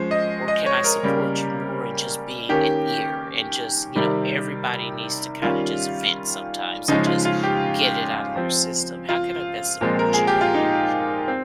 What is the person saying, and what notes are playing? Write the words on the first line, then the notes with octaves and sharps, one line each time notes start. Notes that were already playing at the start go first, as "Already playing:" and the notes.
or can I support you more in just being an ear and just you know, everybody needs to kinda just vent sometimes and just get it outta their system. How can I best support you? Are you
Already playing: F3 G#3 C#4 C5
D#5
D#5
C#5
A#4
C#3 G3 A#3 C#4
D#3 A#3 C#4 G4
C3 D#3 G3
D#3 G3 C#4 F4
C#3 F3 G#3 C#4 D#4
F4
F4
G4
F3 C4
F4
A#2 F3 G#3 C4
A#4
G#4
G4
F4
D#4
C4